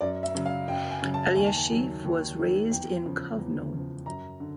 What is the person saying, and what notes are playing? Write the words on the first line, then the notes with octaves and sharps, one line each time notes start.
Elyashiv was raised in Kovno.
F#2 D5
E5
C#3 F#3
F5
F#2 G5
G#5
C#3 F#3
A5
D#2 G#5
A5
G#5
D#3 F#3
D#2
D#3 F#3
E2 G5
C#3 F3
E2
C#3 F3
F#2 A#5
D3